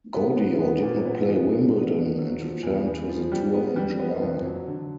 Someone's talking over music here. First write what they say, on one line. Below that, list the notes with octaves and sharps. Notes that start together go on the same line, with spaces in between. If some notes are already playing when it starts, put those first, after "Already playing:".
Gaudio did not play Wimbledon and returned to the tour in July.
B3
B3
B3
A#2
B3
F3
D4
B3
D4
F#3
F3
E2
E2
F3
G3
B3
G3
B3
F2
F#3
D3